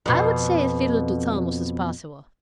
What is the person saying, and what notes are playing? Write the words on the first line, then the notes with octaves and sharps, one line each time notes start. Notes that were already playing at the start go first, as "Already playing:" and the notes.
I would say as little to Thomas as possible.
F2 B2